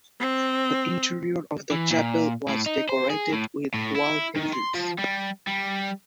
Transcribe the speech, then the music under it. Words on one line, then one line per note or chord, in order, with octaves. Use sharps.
The interior of the chapel was decorated with wall paintings.
C4
E3
A#2
A2
D#4
C5
G#4
A2
A2
E4
D#3
C6
F3
G3
G3